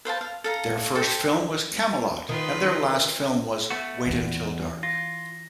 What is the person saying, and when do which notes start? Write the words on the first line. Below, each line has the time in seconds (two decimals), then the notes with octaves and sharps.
Their first film was "Camelot" and their last film was "Wait Until Dark".
0.05 B4 C5 F5 A5
0.21 F5
0.44 A4 F5 A#5
0.95 A4 C5 G5
2.29 D#3 F4 B4
3.70 A3 B3 F#4
4.06 E2 E3 E4
4.83 F4 A#6